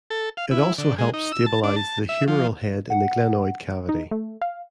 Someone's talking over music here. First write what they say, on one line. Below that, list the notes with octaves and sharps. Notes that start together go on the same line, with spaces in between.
It also helps stabilise the humeral head in the glenoid cavity.
A4
F5
E4
D3
G#3
D#4
E6
A5
D4
A5
E5
F3
F#5
D#4
A3
F5